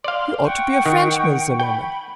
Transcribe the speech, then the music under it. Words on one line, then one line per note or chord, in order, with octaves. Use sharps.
You ought to be a Frenchman, Sir Norman!
D5 F5 C6
F#5 G5 C#6
D#3
G5 B5